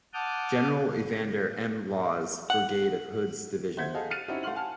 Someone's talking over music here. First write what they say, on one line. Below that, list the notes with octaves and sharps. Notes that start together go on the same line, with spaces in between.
General Evander M. Law's brigade of Hood's division.
F#5 A5 D6 D#6 F6 G6
F#5
C5 E5 F#5 G6 G#6 B6
G#4 A4 D#5 F5 F#5
F6 F#6 A6 C#7 D#7
C4 C#4 D#4 E4 F#4 G4
A3 F5 F#5 C6 F6 F#7
F#5 G#5 A5 F6